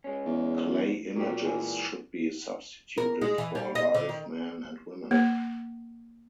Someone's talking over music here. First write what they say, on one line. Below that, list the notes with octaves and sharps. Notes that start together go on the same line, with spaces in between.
Clay images should be substituted for live men and women.
G#3 C#4
E2
A#2 F#3 G4
G#2 E3 G#4
A#4
G#3
E3
G3
D#5
D3
D#3
A#3